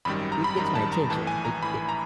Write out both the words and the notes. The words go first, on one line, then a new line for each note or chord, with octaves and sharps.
it gets my attention. It it
G#1 F#2 D#3 G3 B5
A#5
B5
G#1 F#2 D#3 G3 A#5
A5
A#5
A#1 A2 E3 A5
G#5
A#5
A#1 A2 E3 B5
A#5